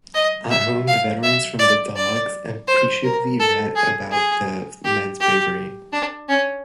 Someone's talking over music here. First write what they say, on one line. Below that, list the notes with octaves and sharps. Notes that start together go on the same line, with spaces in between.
At home, the veterans from the "Dogs" appreciably read about the men's bravery.
D#5
E5
F5
E5
D5
D5
C5
A#4
A4
G#4
G#4
G4
G4
D4
C#4